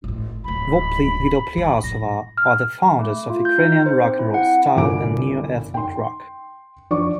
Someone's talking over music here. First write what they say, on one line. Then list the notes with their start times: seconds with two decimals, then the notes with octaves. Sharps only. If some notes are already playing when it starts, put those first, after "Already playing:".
Vopli Vidopliasova are the founders of Ukrainian rock-n-roll style and neo-ethnic rock.
0.04 G#1 A2
0.44 D1 G#2 B5
1.57 G3
1.84 A2 F#3 A#6
2.37 F6
2.99 A3
3.30 F4
3.45 G6
3.58 D#4
3.86 C5
4.03 C4
4.19 E4
4.34 F#5
4.76 G1 C2 A#2 G#5 D6 D7
5.74 G5 C6
6.90 F3 D4 D5 C#6 D6